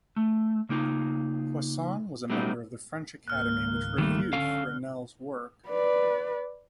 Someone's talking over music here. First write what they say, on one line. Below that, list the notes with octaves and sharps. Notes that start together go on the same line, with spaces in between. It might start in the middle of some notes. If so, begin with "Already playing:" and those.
Poisson was a member of the French Academy, which reviewed Fresnel's work.
A3
C#3 A#3 D#4 F4
F#3 G3 A3 B3 C#4 D#4
G#1 C#2 A#3 F6 F#6
D#3 G3 A3
D3 C#4 A4 F5
B4 D5